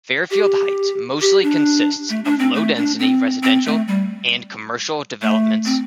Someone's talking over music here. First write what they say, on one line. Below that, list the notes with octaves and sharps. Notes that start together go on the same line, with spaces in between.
Fairfield Heights mostly consists of low-density residential and commercial developments.
G4
G4
D4
A3
D4
C4
A3
D4
C4
C4
A3
G3
A3
C4